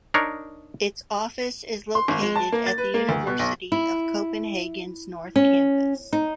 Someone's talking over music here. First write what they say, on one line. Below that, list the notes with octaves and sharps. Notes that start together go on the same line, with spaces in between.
Its office is located at the University of Copenhagen's North Campus.
D4 D#4 A#4 C#5
C6
G#1
G#3
A5
A#3
A6
B4
A#3
D2
B2
B1
E4
C#4
D#4